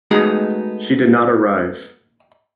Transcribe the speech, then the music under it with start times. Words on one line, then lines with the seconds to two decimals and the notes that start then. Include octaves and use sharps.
She did not arrive.
0.11 G#3 A3 B3 D#4 F#4 G#4